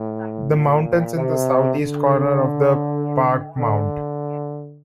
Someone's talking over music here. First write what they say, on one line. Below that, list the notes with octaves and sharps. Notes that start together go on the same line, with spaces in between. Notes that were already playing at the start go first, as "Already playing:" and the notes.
The mountains in the southeast corner of the park-Mt.
Already playing: A2
A#2
C3
D3
D3